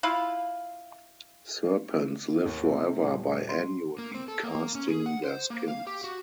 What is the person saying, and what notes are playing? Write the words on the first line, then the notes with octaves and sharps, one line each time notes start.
Serpents live forever by annually casting their skins.
E4 F4 F5
D#2
C3
D#1
C6
A#3
C4
A4
A#3
C#4
G#4
F#5
C5
A#3
F5
G4
F#4